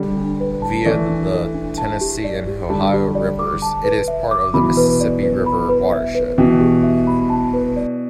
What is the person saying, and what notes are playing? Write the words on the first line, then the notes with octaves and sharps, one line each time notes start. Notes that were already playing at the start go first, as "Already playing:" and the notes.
Via the Tennessee and Ohio rivers, it is part of the Mississippi River watershed.
Already playing: D3 G3 D5
D4
B4
A5
E3 A3 D5
D4
A4
D4
A5
G4
D5
G4
D3 G3 A5
G4
D5
D6
A5
B4
E5
D6
B2 E3 B5
B4
D5
B4
B5
B4
E5
B4
B2 E3 G5
G4
E5
B5
A5
B4
D5